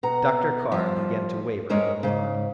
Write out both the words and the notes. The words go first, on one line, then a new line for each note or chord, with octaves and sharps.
Dr. Carr began to waver in his mind.
B2 F#5 A#5
F3 G3
G#2 G3 G#3 A#4 C#5
G#2 C#3